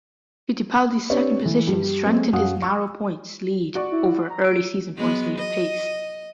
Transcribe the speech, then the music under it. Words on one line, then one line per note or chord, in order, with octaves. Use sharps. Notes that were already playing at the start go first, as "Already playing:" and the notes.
Fittipaldi's second position strengthened his narrow points lead over early season points leader Pace.
C4 D4 G4 B4 C#5 D5
E3 A3
G2 G3
F#3 G#3 A3 C4 F#4
F#2 F#4 F5 F#5 D#6
C#6 E6
F#4 D5 C#6
E4
A#5
E6 D7
F#3 G#3 B3
D#5